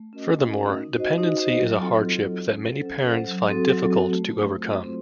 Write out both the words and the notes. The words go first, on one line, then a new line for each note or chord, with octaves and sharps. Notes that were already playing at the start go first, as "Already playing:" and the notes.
Furthermore, dependency is a hardship that many parents find difficult to overcome.
Already playing: A3
C#4 F#4 A#4 D#5
A3
C#4 F#4 A#4 D#5
D#4
F#4 C5 D#5
D#4
F#4 C5 D#5
F#3
C4 F4 A4
F#3
C4 F4 A4
C#4
A4 C5 F#5
C#4
A4 C5 F#5
F#3
C4 F#4 A4
F#3
C4 F#4 A4
A3
C4 F4 C5
A3
C4 F4 C5